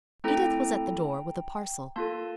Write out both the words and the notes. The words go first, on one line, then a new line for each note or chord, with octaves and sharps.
Edith was at the door-with a parcel.
A3 C4 E4 A4 G5 A#5
A#3 F4 A4 A5 C6